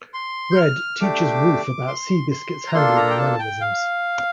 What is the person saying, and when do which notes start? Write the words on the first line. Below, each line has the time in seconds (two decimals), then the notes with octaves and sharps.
Red teaches Woolf about Seabiscuit's handling and mannerisms.
0.14 C6
0.52 G6
0.57 F6
1.00 A3 D4 G4 D6
1.87 C6
2.31 C6
2.68 A#5
2.74 A#3 D4 F4 A4 C6
2.96 A#5
3.10 G5
3.18 A5
3.39 G5
3.61 F5